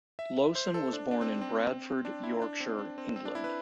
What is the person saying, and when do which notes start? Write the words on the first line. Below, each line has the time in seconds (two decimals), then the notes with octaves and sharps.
Lowson was born in Bradford, Yorkshire, England.
0.19 E5
0.55 C5
0.74 A4
0.93 D4
1.11 D4
1.21 C4
1.41 C4
2.05 D4
2.23 E4
2.42 D4
2.60 C4
2.79 D4
2.98 C4
3.16 C4
3.25 D4
3.35 E4
3.44 B4